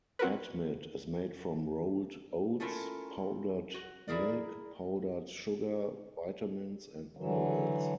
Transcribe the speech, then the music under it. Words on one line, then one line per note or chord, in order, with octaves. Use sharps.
Atmit is made from rolled oats, powdered milk, powdered sugar, vitamins, and minerals.
C4 F#4 A#4 B4
A3 C#4 E4 F4 A4 A#4
F#4
E4 G#4 A#4 D5
D3 E3 F#3